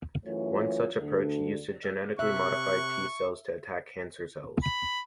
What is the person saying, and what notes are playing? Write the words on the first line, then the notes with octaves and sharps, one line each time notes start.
One such approach used genetically modified T cells to attack cancer cells.
F#2 E3 A3 F4 C#5
D2 D3
C3 E5 C#6 F#6
B5